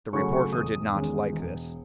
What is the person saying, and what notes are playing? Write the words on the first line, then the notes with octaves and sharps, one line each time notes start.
The reporter did not like this.
C#3 F#3 A3 C#6
C#6
E1 D#6
E2 D#3 G#3 C#4
E1